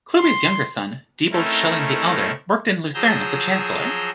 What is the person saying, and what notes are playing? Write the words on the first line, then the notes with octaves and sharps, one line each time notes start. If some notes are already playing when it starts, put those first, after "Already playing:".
Klewi's younger son, Diebold Schilling the Elder worked in Lucerne as a chancellor.
C6
A3 C4 C#4 D#4 E4 A#4
F3 F#3 G#4 A#5 E6 G6